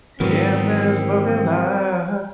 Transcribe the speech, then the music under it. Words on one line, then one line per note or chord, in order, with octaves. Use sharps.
in this fucking life,
G#2 D#3 E3 F#3 B3 C4 G4 A#4